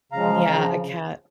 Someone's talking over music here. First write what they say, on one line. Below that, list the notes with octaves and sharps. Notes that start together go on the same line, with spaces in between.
Yeah, a cat.
C#3 F3 G#3 F5 A#5
C#3 F3 A#5